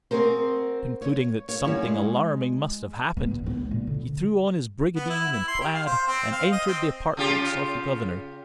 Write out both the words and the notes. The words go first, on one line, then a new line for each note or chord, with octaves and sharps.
Concluding that something alarming must have happened, he threw on his brigandine and plaid, and entered the apartments of the governor.
C4 F#4 G#4 A#4 C5
C#5
C#5
F#2 G3 E4 C#5
G#3
B3
D1 A#2
B3 C#4
C#2
A#2
D3
B3
E4
E4
C6
G4
F5
C5
C4
F5
D#5
C4
C#3 F4 G4